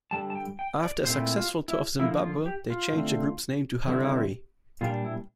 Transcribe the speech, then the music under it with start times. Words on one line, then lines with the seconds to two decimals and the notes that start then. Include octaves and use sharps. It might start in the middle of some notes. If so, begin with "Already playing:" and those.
After a successful tour of Zimbabwe they changed the group's name to Harari.
0.11 G2 D3 G3 A5
0.30 A5
0.35 G5
0.59 G5
0.82 D5
1.05 A#2 A3 C4 E4 C5
1.37 F4
1.68 E4
1.99 D3 F3 A#3 E4
2.23 F4
2.46 G4
2.70 F4
2.93 D3 A3 C4
3.87 D3 G3 C4 E4
4.81 A#2 G3 D4 F4
5.05 E4